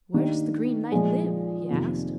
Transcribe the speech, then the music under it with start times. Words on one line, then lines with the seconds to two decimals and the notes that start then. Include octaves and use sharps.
'Where does the Green Knight live?' he asked.
0.13 D#3 A#3 D4 G4
0.92 A#2 F3 G#3
1.70 F2 C3 D#3 A#3